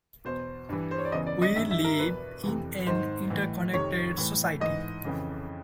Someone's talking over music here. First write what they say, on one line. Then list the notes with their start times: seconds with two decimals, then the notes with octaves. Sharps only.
We live in an interconnected society.
0.25 E2 B2 C5
0.69 G2 E3
0.91 C5
0.98 C#5
1.05 D5
1.12 E2 C#3 E3 D#5
1.26 D5
1.42 D#5
1.56 G2 D#3 E5
1.71 E5
1.84 A#4
1.99 E2 B2 B4
2.43 F2 C3 E3
2.86 G#2 D#3 C5
3.30 A2 E3
3.73 F2 C3 D#3 C#5
4.17 A2 E3
4.60 G#2 E3 D#5
5.05 F2 C#3 E3